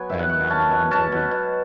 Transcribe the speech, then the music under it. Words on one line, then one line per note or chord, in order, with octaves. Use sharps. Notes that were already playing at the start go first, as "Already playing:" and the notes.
And now my mom's gonna be
Already playing: F#3 B3 G#5
D#3 E5
F#5
F#3 F#5
C#4 A5
B2
C#4 A5
B2
B2